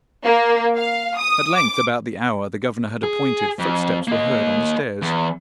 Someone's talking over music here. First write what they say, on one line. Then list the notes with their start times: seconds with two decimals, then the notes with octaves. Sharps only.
At length, about the hour the governor had appointed, footsteps were heard on the stairs.
0.24 A#3
0.76 F5
1.19 D#6
1.53 D6
3.03 G#4
3.59 F2
4.08 A#3 D#5
5.02 E2